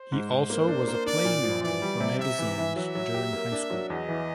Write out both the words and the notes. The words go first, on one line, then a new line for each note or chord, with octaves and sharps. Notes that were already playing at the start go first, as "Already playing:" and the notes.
He also was a plane model for magazines during high school.
Already playing: C5
G#2
G#2
A#3
D4
A#3
D4 D5
A#2
F3
E3 D5
G3
C3
C3 E5
E3
E3
F#3 E5
F#3
G4
A#3
D4
F#3
E2 D#5
E3